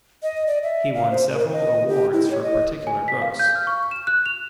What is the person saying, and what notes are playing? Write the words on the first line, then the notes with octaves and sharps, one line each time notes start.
He won several awards for particular books.
D#5
D5
E5
F5
C5
A#4
D#5
G4
E4
C#5
D#5
G#5
B6
F5
G6
F6
C#6
E7
F#6
F7